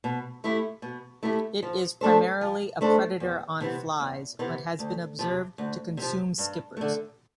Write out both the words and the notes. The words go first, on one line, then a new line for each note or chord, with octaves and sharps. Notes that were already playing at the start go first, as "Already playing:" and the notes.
It is primarily a predator on flies, but has been observed to consume skippers.
B2
A3 E4 G4
B2
A3 E4 G4
F3
A3 D4 A4 C5
F3
A3 D4 A4 C5
E2
C3 E3 B3
E2
C3 E3 B3
D2
C3 F3
D2
C3 F3
G2
D3 A3